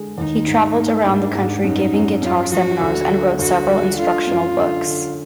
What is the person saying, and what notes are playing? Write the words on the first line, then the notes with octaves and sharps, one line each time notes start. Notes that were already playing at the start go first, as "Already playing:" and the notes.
He traveled around the country giving guitar seminars, and wrote several instructional books.
Already playing: D3 G#3
D#2 D#4
G#2
A#3
G#2 D4
G#2
F#2 D#4
F#2
F#2 F4
F3 F#4
D2
D3
D2 F#4
G#3
D3 F4
F#2
D3
D3